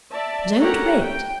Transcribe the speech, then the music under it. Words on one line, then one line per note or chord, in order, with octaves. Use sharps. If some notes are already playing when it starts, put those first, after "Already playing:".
Don't wait.
D5 E5 A5
G4 A4 A#4 C#5 F#5 A#5
G5